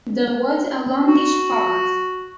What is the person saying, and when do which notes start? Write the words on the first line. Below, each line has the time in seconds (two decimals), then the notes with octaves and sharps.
There was a longish pause.
1.07 F#4